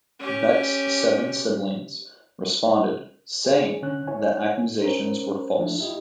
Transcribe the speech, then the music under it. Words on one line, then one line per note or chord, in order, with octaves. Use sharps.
Beck's seven siblings responded saying the accusations were false.
C#4 G4
G#4
D3 C#4 F#6
E4 C#5 G#5
C#4 A#4 C5
F3 A3 D4 E4
E4 F4 G4 D#5